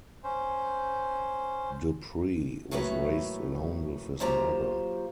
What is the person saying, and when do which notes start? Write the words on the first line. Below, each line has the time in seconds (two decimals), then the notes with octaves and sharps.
Dupree was raised alone by his mother.
0.24 C#4 C5
2.71 A2 F#3 A3 A#3 B4
4.20 F#3 A#3 F4 G4 C5 A#5